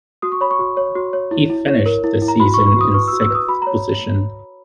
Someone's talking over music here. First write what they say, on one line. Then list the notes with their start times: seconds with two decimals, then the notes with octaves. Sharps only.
He finished the season in sixth position.
0.22 F#4 D#6
0.32 C#6
0.41 C#5 B5
0.51 C#6
0.59 F#4
0.77 C#5
0.95 F#4
1.13 C#5
1.31 E4
1.50 E4
1.67 C#5
1.86 A#4
2.04 E4
2.22 E4
2.28 A#5
2.40 F#4 B5
2.54 B4 C#6
2.67 C#6
2.76 F#4 D#6
2.94 B4 C#6
3.08 E6
3.13 F#4
3.22 E6
3.30 B4 D#6
3.48 F#4 B5
3.62 C#5 A#5